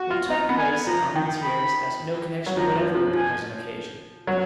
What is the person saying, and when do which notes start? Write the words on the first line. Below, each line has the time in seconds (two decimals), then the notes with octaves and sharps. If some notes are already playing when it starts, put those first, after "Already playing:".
What took place at Armentieres has no connection whatever with the present occasion.
Already playing: F#4
0.10 F4
0.30 D#4 A#5
0.49 B3
0.58 G#5
0.86 F3 A#5
1.16 D#3
1.43 B5
2.46 F#3
2.57 F3 A#5
2.76 F3
2.95 F3
3.13 F3 G#5
4.27 F#3